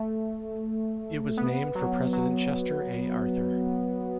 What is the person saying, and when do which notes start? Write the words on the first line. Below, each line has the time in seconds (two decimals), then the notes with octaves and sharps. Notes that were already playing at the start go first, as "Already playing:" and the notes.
It was named for President Chester A. Arthur.
Already playing: A3
1.37 B3
1.75 F#3
2.13 F#3